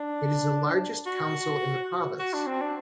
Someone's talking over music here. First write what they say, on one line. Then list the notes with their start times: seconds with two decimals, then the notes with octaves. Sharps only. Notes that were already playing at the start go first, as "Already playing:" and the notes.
It is the largest council in the province.
Already playing: D4
1.06 F#4
2.19 F#4
2.33 D4
2.46 C4
2.61 D4